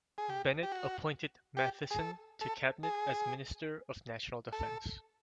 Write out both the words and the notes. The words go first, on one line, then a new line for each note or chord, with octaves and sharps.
Bennett appointed Matheson to Cabinet as Minister of National Defence.
G#4
G4
G4
F#4
G4
G#4
A4
A4
G#4
A4